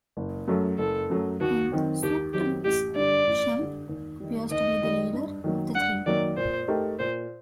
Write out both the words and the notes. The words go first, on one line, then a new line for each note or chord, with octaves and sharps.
In "Soup To Nuts", Shemp appears to be the "leader" of the three.
F#1
F#2 F#3 A3
F#1 A4
F#2 F#3 A3
D#2 F#4
D#3 F#3 C4
D#2 G4
D#3 F#3 C4 G4
A1 G4
G2 D3 G3 D5
A1
G2 D3 G3
D#2
D#3 G3
D#2 D#5
D#3 G3
G2
D#3 F#3 A#3
G2 F#5
D#3 F#3 A#3 D5
A#2 C5
A3 D#4 G4 A#4
A#2 C5